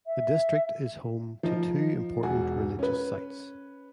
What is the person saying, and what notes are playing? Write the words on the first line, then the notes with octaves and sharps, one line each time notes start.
The district is home to two important religious sites.
E5
F3 D#4
E1 F#4 G#5
C#4 B4